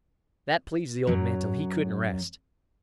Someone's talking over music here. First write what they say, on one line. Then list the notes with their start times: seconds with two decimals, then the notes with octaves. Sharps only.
That pleased the old man till he couldn't rest.
1.07 F#2 F#3